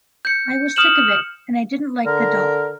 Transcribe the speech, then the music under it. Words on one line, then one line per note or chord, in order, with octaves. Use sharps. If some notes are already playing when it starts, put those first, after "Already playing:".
I was sick of it, and I didn’t like the dog.
G6 C#7
D#6 F6 E7 F#7
D3 A#4